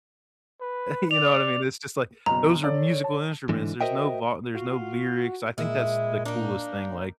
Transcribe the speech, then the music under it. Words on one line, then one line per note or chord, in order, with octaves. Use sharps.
you know what I mean? It's just like those are musical instruments. There's no vo there's no lyrics. I think that's the coolest thing like,
B4
D5 F7
F#1 B2 A#5
A4 C#5 D5
A5
G#2 D3 E3
F#4 A#4 C5 D#5 E5 G5
F4 F#4
A#2 G#3 E4
A#3 D4 D#4